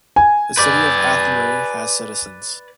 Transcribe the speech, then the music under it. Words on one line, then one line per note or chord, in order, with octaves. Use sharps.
The city of Athenry has citizens.
G#5
B4 D5